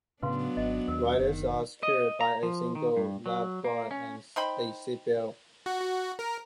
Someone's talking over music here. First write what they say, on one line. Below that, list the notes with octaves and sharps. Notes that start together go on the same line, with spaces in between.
Riders are secured by a single lap bar and a seat belt.
A2 C#3 F#3 B3 D4 B4 F5 C6
G#1 D#5
D#2 A#4
F#1 D#3
D#5
A#5
F3
D#3
G2
F#3
A#3
C#4
D#4 C5 G5 B5
F#4
F#4
A#4